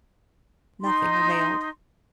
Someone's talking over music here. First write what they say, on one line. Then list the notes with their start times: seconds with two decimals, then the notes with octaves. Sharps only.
Nothing availed.
0.83 D#4 C6